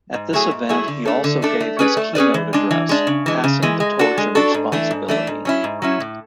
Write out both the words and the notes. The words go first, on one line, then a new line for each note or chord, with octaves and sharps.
At this event, he also gave his keynote address, Passing the Torch of Responsibility.
G#2
F#3 A3 E4 G#4
G#2
F#3 A3 E4 G#4
D3
A3 D4 A4
D3
A3 D4 A4
A3
C#4 G#4 B4 D5
A3
C#4 G#4 B4 D5
E3
G#3 D4
E3
G#3 D4
C#3
E3 G#3
C#3
E3 G#3
G#3
D4 F#4 A4
G#3
D4 F#4 A4
G#2
E3 A3 D4
G#2
E3 A3 D4
G#2
F#3 C#4 E4
G#2
F#3 C#4 E4
A2